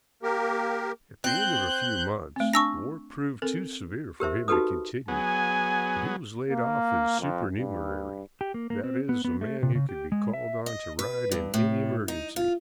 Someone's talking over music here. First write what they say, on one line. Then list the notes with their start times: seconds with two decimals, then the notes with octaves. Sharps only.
At the end of a few months the work proved too severe for him to continue, and he was laid off as supernumerary--that is, a man who could be called on to ride in any emergency.
0.23 A#3 G4 A#4
1.24 C4 F#6 G6
2.36 A3 C4
2.53 D4 G#5 A5 C#6 E6 A#6
3.42 C4 A4 A#4
4.20 G4 A#4 C5 E5
4.48 D#4 F#4 G4 A4 B4 D#6
5.08 F#3 B3 G#4 G#5
6.51 A#3
7.20 F2
7.58 G2
8.41 G4
8.54 A#3
8.70 A#3
8.84 C4
9.09 B3
9.25 B3
9.41 A3
9.63 C3
9.75 C#3
9.89 G4
10.12 G#3
10.34 E5
10.66 D#5
10.99 B4
11.31 G2
11.54 A2
12.08 D#4
12.36 F4